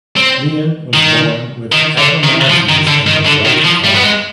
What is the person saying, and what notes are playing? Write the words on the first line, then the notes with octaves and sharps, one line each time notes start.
Lian was born with abnormalities in his right arm.
C4
D#3
D#3
D3
D#3
F3
D#3
D3
D#3
D3
D#3
F3
G3
B3
G#3